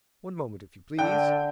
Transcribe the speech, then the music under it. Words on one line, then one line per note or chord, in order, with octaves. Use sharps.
One moment, if you please!'
D3 G5